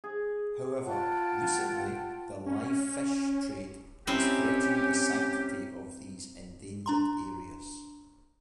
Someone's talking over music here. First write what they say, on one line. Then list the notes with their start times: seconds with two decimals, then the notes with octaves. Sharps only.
However, recently the live fish trade has threatened the sanctity of these endangered areas.
0.04 G#4
0.85 F4 F#5 G5 A5
2.46 C#4
4.07 C4 C#4 D#4 E4 G4
6.86 D4 A#5 C6